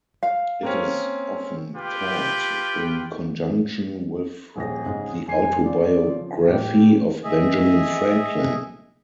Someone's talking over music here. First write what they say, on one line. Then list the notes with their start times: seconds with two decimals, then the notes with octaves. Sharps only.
It is often taught in conjunction with "The Autobiography of Benjamin Franklin".
0.23 F5
0.63 A#3 C4 C#4
1.76 F4 G4 B4 G5
4.56 D#1 A#1 G#4 A#6
4.86 G#2 C#3
5.28 F1 G#5 C7
5.65 F3 D5
6.06 C#3 F3
6.48 A2 G4
7.24 G#4 D#5 E5